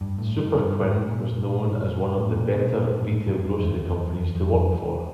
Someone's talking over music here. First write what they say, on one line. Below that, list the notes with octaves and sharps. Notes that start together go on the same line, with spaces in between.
Superquinn was known as one of the better retail grocery companies to work for.
G2
A2
G2
G2
G#2
A#2
A2
A#2
B2
A#2
A2
G2
F#2
E2
E2
F2
F2
E2